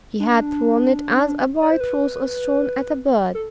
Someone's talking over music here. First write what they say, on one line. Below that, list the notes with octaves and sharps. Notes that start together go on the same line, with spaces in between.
He had thrown it as a boy throws a stone at a bird.
D4
D5
C5
B4
A4